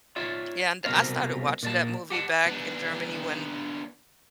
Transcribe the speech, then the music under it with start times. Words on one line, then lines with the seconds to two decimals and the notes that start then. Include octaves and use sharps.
Yeah, and I started watching that movie back in Germany when,
0.16 F4 C#5 D5 E5
0.85 C2 B2 A#3 C4 A#4 F5
1.63 A#2 D5 A5
2.10 G4 F#5 A5
2.47 B3 D4